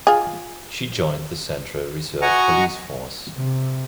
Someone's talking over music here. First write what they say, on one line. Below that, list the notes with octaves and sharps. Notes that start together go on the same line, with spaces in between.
She joined the Central Reserve Police Force.
F4 G#4
F#4 D#5 F#5 G#5 A#5 C#6
C3